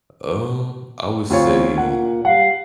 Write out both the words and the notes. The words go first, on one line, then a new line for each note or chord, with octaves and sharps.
U um, I would say
D2 C4 F4 C#5
A#2 F#5
G3 F5 F#5